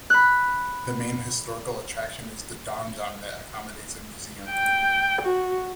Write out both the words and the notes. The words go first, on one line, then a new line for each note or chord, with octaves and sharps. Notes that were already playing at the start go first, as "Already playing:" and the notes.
The main historical attraction is the donjon that accommodates a museum.
B5 F#6
G5
F#4